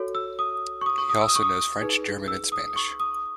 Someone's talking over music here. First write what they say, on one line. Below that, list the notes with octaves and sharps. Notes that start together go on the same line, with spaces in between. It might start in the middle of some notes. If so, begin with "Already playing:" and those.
He also knows French, German and Spanish.
Already playing: F#4 A4 C#5
E6
D#6
C#6
D#6
C#6
D#6
E6
D#6
C#6
D#6
D#4 G#4 B4
E6
D#6
C#6
D#6